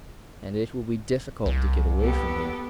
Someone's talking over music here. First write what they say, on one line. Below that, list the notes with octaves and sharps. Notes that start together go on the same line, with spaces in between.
And it will be difficult to get away from here.
C2
B3 G4 A4